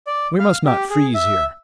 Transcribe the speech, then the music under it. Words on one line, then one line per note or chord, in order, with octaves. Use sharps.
"We must not freeze here."
D5
F5
G4
G#4
E5